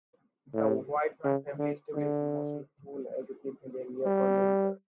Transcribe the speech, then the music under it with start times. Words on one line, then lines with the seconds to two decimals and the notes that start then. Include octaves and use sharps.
The Whiteman family established Mussel Pool as a picnic area for their employees.
0.54 A2
1.25 C#3
1.59 D3
1.95 D3
4.06 G3